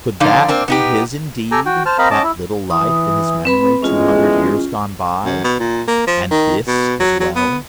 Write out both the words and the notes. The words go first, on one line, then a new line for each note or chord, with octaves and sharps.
Could that be his indeed, that little life in his memory two hundred years gone by--and this as well?
D3 F3 D4 D#4 F5
A#3 C4 D4
B3 D#4 G4
G4 A4 G5 G#5 A#5
F#4 G5
C5 A5 F6
C4 A#4 D#5 F5 A#5 B5
C#4 D#5 A5 D6
E4
E3 D#6
C4 B4 B5
E2 A2 G#3 C#4 F4
F#2
B2
A#2
A#3
F3
D#3
B2
F#3
F#3
B3